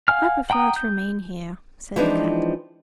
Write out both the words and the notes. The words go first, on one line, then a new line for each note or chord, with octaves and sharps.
"I prefer to remain here," said the cat.
F5 F#5 G#5 F6
F#5 G5 A#5 D#6
G6
E3 F3 G#3 C4 D4 D#4